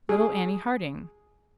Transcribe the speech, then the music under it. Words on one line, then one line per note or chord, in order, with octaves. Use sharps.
"Little Annie Harding."
G#4